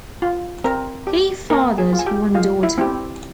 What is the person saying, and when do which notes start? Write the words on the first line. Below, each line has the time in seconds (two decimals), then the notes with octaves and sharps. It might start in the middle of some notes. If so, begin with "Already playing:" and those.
He fathered one daughter.
0.22 F4
0.64 C4 A#4 A#5
1.07 G4
1.50 A#3 A#4 A#5
1.78 G#4 G#5
1.93 F4
1.99 G#5
2.06 G4 G5
2.34 G#3 F4 F5
2.63 E4 E5
2.78 C4 E4 G4